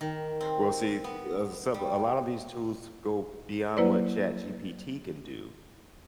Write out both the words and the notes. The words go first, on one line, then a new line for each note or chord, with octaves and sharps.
Well, see, uh, some a lot of these tools go beyond what ChatGPT can do.
D#3
C4
B3
G3
F#3 A#3 E4 B4 C5 D5